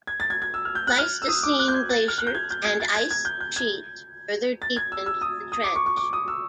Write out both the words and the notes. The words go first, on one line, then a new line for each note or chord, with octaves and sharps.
Pleistocene glaciers and ice-sheets further deepened the trench.
G#6
A6
G#6
G#6
E6
F6
G6
F#6
F6
E6
D#6
D6
F#6
G6
G#6
A6
F6
F#6
G6
G#6
G6
G#6
A6
G#6
G#6
G6
G6
G#6
A6
G#6
E6
E6
D#6
D#6
D6
C#6
C#6
D6
D#6
E6